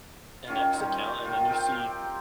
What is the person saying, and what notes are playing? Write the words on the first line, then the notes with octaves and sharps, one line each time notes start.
an X account, and then you see
D#3 C#4 F4
G3 D#4
D#3 F4
C4 A#4 G5
G4